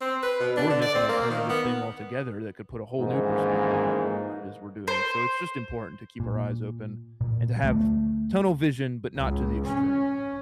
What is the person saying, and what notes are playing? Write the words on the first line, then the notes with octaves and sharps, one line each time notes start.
or miss an alternative thing altogether that could put a whole new perspective on whatever it is we're doing, so it's just important to keep our eyes open and to have tunnel vision, but not to the extreme.
C4
B4
B2
D4
D3
D5
C4
A#3
D#3
B3
F2 G#2 D#3 E3 A#3 C#4
C5
A#2
A#2
D2 G3 A3
C#2
C#4